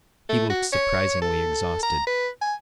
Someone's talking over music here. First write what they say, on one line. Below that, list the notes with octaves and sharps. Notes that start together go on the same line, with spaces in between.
He looked surprisingly exhausted.
A3
F#4
C#5
A4
A#5
B4
G#5